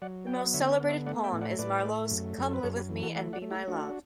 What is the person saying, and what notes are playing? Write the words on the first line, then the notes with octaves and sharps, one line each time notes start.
The most celebrated poem is Marlowe's 'Come live with me and be my love'.
F#3 D5 F#5
B3 G5
D5 F#5
D3 C#5 E5
B4 D5
B3
C#5 E5
A3 D5 F#5
E5 G5
A2
D5 F#5
A2 B4 D5
A3
F#2
F#2
A4
B4
F#2 A4 C#5
G4 B4
E3
F#4 A4
A3 D5 F#5
D5 F#5
A3
E4 G4
A3 D4 F#4